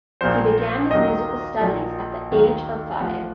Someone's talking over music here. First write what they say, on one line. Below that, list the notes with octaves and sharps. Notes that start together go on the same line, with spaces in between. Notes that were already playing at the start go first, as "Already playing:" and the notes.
He began his musical studies at the age of five.
A#1 A#2 F3 C5
D#2 D#3 F#3 D#5
A#1 A#2 F#3
D#2 D#3 F#3
A1 A2 F3 F#5